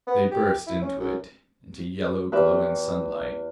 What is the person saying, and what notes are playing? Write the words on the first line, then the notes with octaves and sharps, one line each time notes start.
They burst into it--into yellow, glowing sunlight.
B3
G4
E4
C#4
F#2
E2 E3 G4 B4 E5